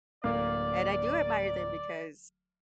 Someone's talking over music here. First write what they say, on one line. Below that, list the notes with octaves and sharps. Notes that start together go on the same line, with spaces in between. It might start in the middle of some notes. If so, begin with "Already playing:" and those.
and I do admire them because
D1 A#3 D5 F5